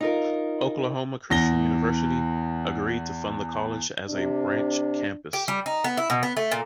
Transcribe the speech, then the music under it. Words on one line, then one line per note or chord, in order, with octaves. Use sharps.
Oklahoma Christian University agreed to fund the college as a branch campus.
D#4 F4 A#4
E2 A#6 G7
C3 D4
G4
G3
D#4
B3
E4
B2
B3
A3
A#2